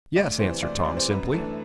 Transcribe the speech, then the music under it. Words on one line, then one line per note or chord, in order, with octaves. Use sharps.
"Yes," answered Tom, simply.
D2 D5
C3 E3 C5
D2 D5
C3 D5
E3
C5
F#2 B4
E3 A3 D4 A4